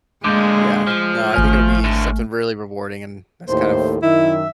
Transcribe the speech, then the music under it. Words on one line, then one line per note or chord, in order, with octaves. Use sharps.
Yeah. No, I think it'll be something really rewarding, and that's kind of
A#2 D3 G#3 D6 G6
F3
G#1 A3 G#5 F6
A2 D3
D#2 A2 A3 C5
F#2 D#3 E4 E5